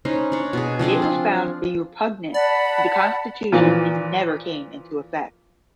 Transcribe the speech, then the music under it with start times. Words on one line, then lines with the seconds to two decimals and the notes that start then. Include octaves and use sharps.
It was found to be repugnant to the Constitution and never came into effect.
0.05 C#4 D#4 B4 C5
0.32 D4 C#5
0.53 B2 G#4
0.79 F3 C4 D4 G#4
1.02 F4
2.34 D5 F#5 A5 B5
3.52 A#2 E3 F3